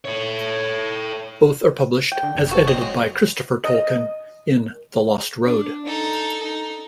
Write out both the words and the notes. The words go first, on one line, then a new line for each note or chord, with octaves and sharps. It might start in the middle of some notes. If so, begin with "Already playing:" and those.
Both are published, as edited by Christopher Tolkien, in "The Lost Road".
A4 C#5
G5
D3
F#1
F#4 A4
C4 D#5
F#3 G#3
D#5
D4
D#4 A4
D#4